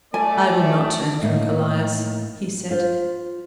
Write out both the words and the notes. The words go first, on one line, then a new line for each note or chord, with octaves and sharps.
"I will not turn from Callias," he said.
A3 D5 G#5
A2 A#3 D#4
F4 C5